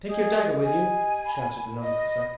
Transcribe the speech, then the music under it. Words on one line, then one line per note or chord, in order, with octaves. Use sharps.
Take your dagger with you!' shouted another Cossack.
G4 G#4 D#5 D#6
G#5
B5
D#5